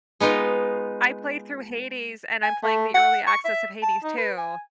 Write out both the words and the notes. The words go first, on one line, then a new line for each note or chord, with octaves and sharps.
I played through Hades and I'm playing the early access of Hades II-
G#3 B3 D#4 F4
G#5
A3
F#5
C#6
E5
A5
D#4
B4
G#5